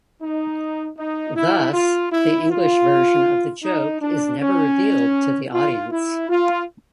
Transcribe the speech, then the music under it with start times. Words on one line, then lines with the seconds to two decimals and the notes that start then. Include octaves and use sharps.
Thus, the English version of the joke is never revealed to the audience.
0.22 D#4
0.98 D#4
1.35 E4
1.73 F4
2.12 E4
2.50 F4
3.63 D#4
4.01 D4
4.39 C#4
5.53 F4
5.91 E4
6.29 F4